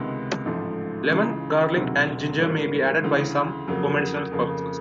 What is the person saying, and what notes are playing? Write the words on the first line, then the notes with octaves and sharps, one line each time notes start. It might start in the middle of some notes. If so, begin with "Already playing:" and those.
Lemon, garlic and ginger may be added by some for medicinal purposes.
Already playing: C#2 C3 D#3 G#3 B3
A1 G#2 F3 A3
C#2 C#3 E3
E1 D2 C3 D#3 F#3
G#2 E3 G3 A#3 C#4
D2 C#3 E3
F2 C#3 F#3 A#3
F2 C#3 F3 A#3